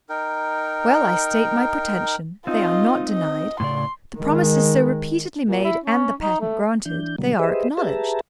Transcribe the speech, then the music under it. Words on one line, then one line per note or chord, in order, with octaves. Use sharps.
Well, I state my pretension --they are not denied; the promises so repeatedly made and the patent granted--they are acknowledged.
D#4 A#4 G5
C4 D#4 F4 D#5
D#5
A2 C#3 D5 C6
D#3 G#3
A#2
E4
C#4
D#4
A3
E3 D4 G6
B2 D3 F#3 G3 A#3
G4 G#4 B4 C5 D#5 E5
G4 G#4 B4 E5 A5 A#5